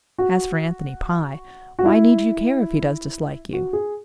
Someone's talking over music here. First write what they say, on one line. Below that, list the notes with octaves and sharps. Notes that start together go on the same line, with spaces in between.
As for Anthony Pye, why need you care if he does dislike you?
F#4
F#4
E4
F#4
G#4